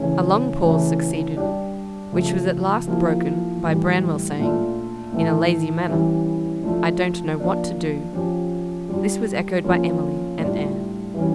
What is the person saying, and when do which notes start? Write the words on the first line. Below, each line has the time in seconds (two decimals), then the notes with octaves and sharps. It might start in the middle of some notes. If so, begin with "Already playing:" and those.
A long pause succeeded, which was at last broken by Branwell saying, in a lazy manner, 'I don't know what to do.' This was echoed by Emily and Anne.
Already playing: C#3 E3 A3 C#4
0.62 C#3 E3 A3 C#4 E4
1.37 G3 D4 G4
2.12 C#3 F3 A3
2.87 F3 A#3 E4 G4
3.63 A2 E3 G3
4.38 A#2 A3 D4 F4
5.12 A2 E3 A3
5.88 E3 G3 C#4 E4 G4
6.64 F3 A3 D4 F4
7.39 F3 A#3 D4
8.13 F3 C#4 G4
8.89 G3 D4 F4
9.64 F3 A#3 C#4 F4
10.39 A2 G3 D4 F4
11.14 E3 G3 C#4